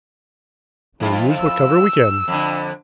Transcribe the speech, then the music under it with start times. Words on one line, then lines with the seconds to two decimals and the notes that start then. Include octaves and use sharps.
"We'll use what cover we can."
1.00 F2 E4 F4
1.41 E6
2.28 F2 D3